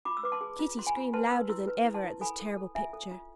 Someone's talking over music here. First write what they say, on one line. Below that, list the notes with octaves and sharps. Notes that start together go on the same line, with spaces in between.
Kitty screamed louder than ever at this terrible picture.
F4 B5 D6
E6
B4 D6
A5 C6
G#4
F4
F4 C6
G#5 B5
F4
B4 A5 C6
B4 C6 E6
E4 C6 E6
B4
E4
A5 C6
E4
A4 G#5 B5
A4
A4
F4 E5 G#5
A4
F4